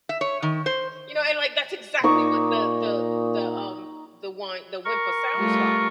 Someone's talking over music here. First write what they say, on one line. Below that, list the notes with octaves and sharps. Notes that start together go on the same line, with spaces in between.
You know? And, like, that's exactly what the the the, um, the whine the whimper sounds like.
E5
C#5
D#3
C5
A#2 D#4 C#6 D6
A#4 C#6
G3 A3 F4